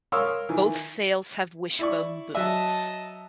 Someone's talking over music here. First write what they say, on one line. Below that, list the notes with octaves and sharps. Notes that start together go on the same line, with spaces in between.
Both sails have wishbone booms.
A#4 C#5 F5 C6 D#6 E6
D#3 E3
E4 D5 C#6
F#3 D#5 E5 A5